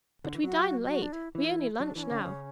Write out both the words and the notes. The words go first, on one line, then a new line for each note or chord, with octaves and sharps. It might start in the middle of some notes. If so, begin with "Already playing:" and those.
But we dine late, we only lunch now.
D3
E3
F#3 F#4
F#4
D4
E4
E3 E4
F#3 D4
E3 D4
C#4
D3
C#3